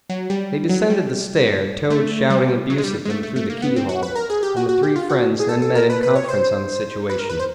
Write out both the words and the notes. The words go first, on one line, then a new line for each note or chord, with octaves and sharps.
They descended the stair, Toad shouting abuse at them through the keyhole; and the three friends then met in conference on the situation.
F#3
G3
F#3
G3
A3
G3
F#3
G#3
G3
G#3
A3
A3
A3
A#3
B3
C4
F#4
B4
A#4
G#4
G4
F#4
F#4
G4
F4
F#4
G#4
A4
A4
A#4
B4
B4
C#5
C5
B4
A#4
B4
C5